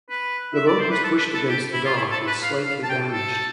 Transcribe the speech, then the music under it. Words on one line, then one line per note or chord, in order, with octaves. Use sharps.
The boat was pushed against the dock and slightly damaged.
B4
E5
D5
C5
B4
A4
B4
A4
G4
E4
F4
E4
A4
B4
F5
F5
A5
G5
A4